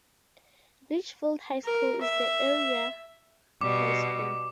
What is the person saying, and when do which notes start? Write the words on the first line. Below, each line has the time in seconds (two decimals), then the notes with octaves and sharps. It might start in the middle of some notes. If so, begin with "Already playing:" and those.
Litchfield High School is the area high school.
1.64 A#4
2.01 E5
3.61 B2 G3 D6